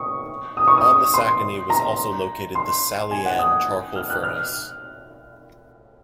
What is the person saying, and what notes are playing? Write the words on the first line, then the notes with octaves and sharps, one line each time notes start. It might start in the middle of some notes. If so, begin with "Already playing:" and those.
On the Sacony was also located the "Sally Ann" charcoal furnace.
Already playing: C#6 D#6
D#6
C#6
D#6
C6
A#5
C6
G#5
F#5
D#6
F6
F#6
F6